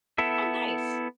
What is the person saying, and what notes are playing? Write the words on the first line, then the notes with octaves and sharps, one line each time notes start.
Oh, nice.
B3 E4 A4 E5